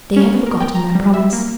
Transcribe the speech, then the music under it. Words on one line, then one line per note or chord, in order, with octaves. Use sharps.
They had forgotten their promise.
C#4
B3
A#4
G5
A#5
G3
E5
A#3